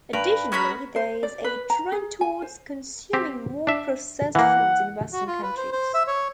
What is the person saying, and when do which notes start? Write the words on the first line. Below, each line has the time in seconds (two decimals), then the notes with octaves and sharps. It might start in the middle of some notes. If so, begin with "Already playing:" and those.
Additionally, there is a trend towards consuming more processed foods in western countries.
0.13 G2 A#4 B4
0.52 G#3 C#4 F#4 A#4 B5
0.96 C5
1.23 D5
1.44 B4
1.70 A#5
1.92 G#4
2.21 G#5
2.42 C5
3.13 C4 G4
3.67 D4 E5
4.35 E3 A#3 F#5
5.12 F#4
5.27 F4
5.43 B4
5.57 C5
5.72 C5
5.94 E5
6.07 C#5